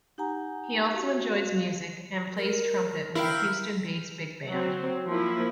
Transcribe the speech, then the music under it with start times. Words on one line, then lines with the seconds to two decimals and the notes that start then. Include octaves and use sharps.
He also enjoys music, and plays trumpet with a Houston-based big band.
0.18 D#4 G4 F#5 G#5 A#5
0.92 F#4 G4 F5
2.37 A#4
3.15 E4 A#4 F5 G5
4.48 F#3 C4
5.07 F3 A#3 E4